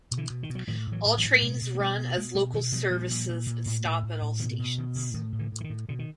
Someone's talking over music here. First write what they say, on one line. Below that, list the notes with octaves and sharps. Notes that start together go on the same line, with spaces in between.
All trains run as local services and stop at all stations.
B2
D3 E3
B2
D#3
B2
F#3
A2 D#3 F3
A2
E3 F#3
A2
E3 F#3
A2
A3
B2 G#3 A#3
B2
A#3
B2 G3 A3
B2
B3
B2 G#3 A#3
B2 G3 A3
B2 D#3 F3
B2 F3 G3
A#2 F3 G3
A#2
A#2
A#2
A2
A2
A2
A2
B2 D#3 F3
B2
B2 D#3
B2 D3
A2 D#3
A2
D3 E3
A2
E3
D#3
A2
B2 D3
D#3